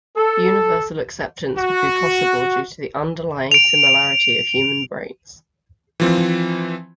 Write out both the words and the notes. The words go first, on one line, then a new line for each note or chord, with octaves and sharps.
Universal acceptance would be possible due to the underlying similarity of human brains.
A4
F#4
D7 F7
E3 F3 C4